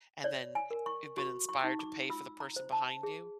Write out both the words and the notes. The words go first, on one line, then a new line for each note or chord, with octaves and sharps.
and then, eh you've been inspired to pay for the person behind you?
C#5 D5
G#5
A#4
C#6
F#4 C#6
C#6
D#4
D6
F4 E6
A#5
C5
A5
G#4